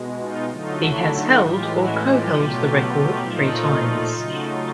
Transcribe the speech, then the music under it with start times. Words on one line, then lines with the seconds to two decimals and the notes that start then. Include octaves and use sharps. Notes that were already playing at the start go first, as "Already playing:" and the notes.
He has held or co-held the record three times.
Already playing: B2 G#3
0.19 D#4 F4
0.50 D3 F#3 A3 D#4 F4
0.80 D4 E4
1.10 D#4 F4
1.40 A2 E3 G#3 F4 G4
1.71 E4 F#4
2.01 F4 G4
2.32 B2 F#3 A3
3.23 A#2 F3 A3 D#4 F4
4.13 C#3 F#3 A3